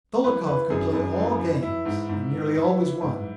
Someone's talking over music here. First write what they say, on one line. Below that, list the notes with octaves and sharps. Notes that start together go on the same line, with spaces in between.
Dolokhov could play all games and nearly always won.
E3 B4
E3 B4
F#2 G#4
F#2
E3
E3
E3 E4
G#2
G#2
E3
E3
E3
G#2